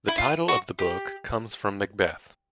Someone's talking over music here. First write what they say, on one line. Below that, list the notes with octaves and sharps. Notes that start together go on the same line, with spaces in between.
The title of the book comes from "Macbeth".
E4
F4
F#4
G4